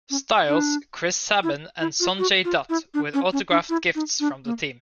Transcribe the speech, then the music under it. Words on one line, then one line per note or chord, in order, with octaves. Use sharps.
Styles, Chris Sabin, and Sonjay Dutt with autographed gifts from the team.
C#4
D4
E4
E4
F4
F#4
F4
E4
D4
C#4
C#4
D4
E4
D#4
D4
A#3